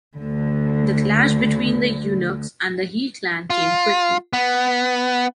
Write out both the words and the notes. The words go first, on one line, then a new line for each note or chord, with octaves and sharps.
The clash between the eunuchs and the He clan came quickly.
D2 D3
F4
B3